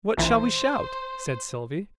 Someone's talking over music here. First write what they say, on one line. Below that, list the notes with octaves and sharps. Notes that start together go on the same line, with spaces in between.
"What shall we shout?" said Sylvie.
A#1 E3 C5